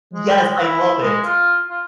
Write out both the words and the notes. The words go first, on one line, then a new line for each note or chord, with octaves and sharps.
Yes, I love it.
G#3
E4
G#3
F4
F4